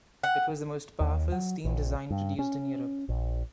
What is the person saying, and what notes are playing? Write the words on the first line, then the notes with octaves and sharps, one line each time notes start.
It was the most powerful steam design produced in Europe.
F#5
D#2
F#3
A#1
G2
C#4
A#1